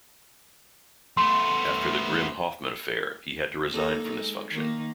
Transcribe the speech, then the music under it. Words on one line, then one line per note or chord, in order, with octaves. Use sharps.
After the Grimm-Hoffmann Affair he had to resign from this function.
A3 B3 C6
A#3 D#4 A4
G#3
D#3 A#3 D#4